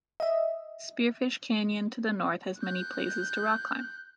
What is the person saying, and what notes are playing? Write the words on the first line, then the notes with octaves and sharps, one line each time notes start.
Spearfish Canyon to the north has many places to rock climb.
D#5 E5
F#6 G6